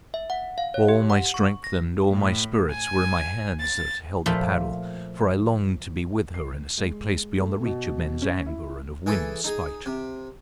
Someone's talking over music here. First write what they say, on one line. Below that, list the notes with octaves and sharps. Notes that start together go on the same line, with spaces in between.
All my strength and all my spirit were in my hands that held the paddle--for I longed to be with her in a safe place beyond the reach of men's anger and of women's spite.
E5
F#5
F5
C#5
G4
F#5
C#6
A#6
A2
G#5
A6
A#2 F3 A3 F4 A4 B5
C7
G#3
A3
B2
C#4
E4
E3 G#4 A4
D#4 G#4
C3